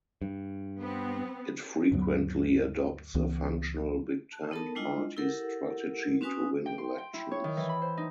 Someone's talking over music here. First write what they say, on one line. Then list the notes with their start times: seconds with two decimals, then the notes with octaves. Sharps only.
It frequently adopts a functional big tent party strategy to win elections.
0.22 G2
0.80 B3 C4
1.92 D2 G2 F#3 B3
3.15 C#2 E3 B3
4.32 A5
4.51 B3 D#4 A4 A#4 A5
4.75 G3 G#3 D4 E4 F4 D#5
5.17 E4 G4 A4 A#4 F#5
6.21 C4 C#4 F#4 B4 G#5 D#6
6.66 G5
6.78 C6
6.98 G5
7.13 E4
7.31 C#5
7.44 D#3
7.57 E3
7.69 B5
7.82 C5
7.97 D#4